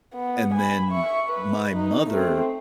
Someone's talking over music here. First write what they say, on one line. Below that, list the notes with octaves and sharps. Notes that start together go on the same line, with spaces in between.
And then my mother
B3
G#5 B5
E5 C#6
B4
D#4
A3 C4